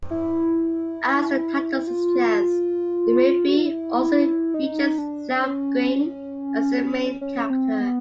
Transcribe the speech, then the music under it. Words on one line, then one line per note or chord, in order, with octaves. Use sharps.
As the title suggests, the movie also features Xiaoqing as the main character.
E4
F4
F#4
F4
E4
D#4
D4
C#4
C#4
C4
B3